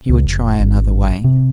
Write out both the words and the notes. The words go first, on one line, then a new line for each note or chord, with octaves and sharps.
He would try another way.
C#2
F1
G#1
C3